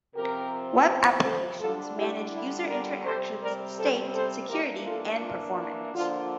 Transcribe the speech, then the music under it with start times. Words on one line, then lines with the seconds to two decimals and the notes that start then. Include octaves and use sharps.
Web applications manage user interactions, state, security, and performance.
0.15 C3 F3 C4 G4 A#4
1.23 A4 C5
1.59 D3 G3 D4 F4 A4
1.96 E4 G4
2.32 E4
2.68 A#4 D5
3.04 C3 G3 C4 A4 C5
3.40 A#4 D5
3.77 A4 C5
4.12 A4 C5
4.49 E3 A#3 D4 G4 A#4
4.85 F4 A4
5.22 F4
5.57 E4
5.93 D3 F3 A#3 D4 F4